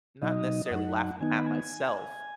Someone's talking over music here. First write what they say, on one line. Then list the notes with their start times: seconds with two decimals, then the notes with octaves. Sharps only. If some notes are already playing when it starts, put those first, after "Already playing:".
not necessarily laughing at myself.
0.22 B2 F#3 D#4 D#5
0.66 D#5
0.71 F#2 F#3 D#4 F#5
1.20 D#3 B3 D#4 G#5
1.34 B5
1.46 G#5